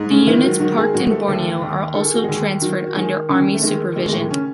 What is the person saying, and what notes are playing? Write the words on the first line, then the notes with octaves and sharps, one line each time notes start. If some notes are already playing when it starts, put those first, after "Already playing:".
The units parked in Borneo are also transferred under army supervision.
Already playing: G#2
C#3 C#4
D#3 E3 E4
F#3 F#4
D#3 F#3 F#4
G#3 G#4
G#2 F#3 F#4
A3 A4
D#2 A3 A4
D#2
D#3 A4
G#4
F#4
D#2 G#3 G#4
D#3 F#3 F#4
F#4
D#3 G#3 G#4
D#2 C#3 C#4
A3
D#3 G#3
D#2 G#3
G#3
A2 A3
C#3 C#4